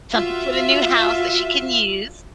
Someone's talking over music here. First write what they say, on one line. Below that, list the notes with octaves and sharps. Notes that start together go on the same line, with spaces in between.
Something for the new house that she can use.
F4 F#4 E5 F5